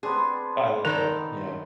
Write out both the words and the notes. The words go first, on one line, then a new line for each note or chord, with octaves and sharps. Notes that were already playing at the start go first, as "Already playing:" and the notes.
I love that, yeah.
B3 C4 D4 G#4
D#3 A4 A#4 D5 A#5